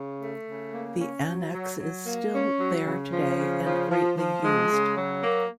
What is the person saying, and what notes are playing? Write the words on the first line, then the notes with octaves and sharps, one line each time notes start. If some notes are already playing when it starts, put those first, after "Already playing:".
The annexe is still there today and greatly used.
Already playing: C#3
A3
C#3
A#3
C#4
F#3
F#3
F#3
A#3
C#4
F#3
C#3
F3
C#3
F3
F3
F3
G#3
C#3
F#3
A#3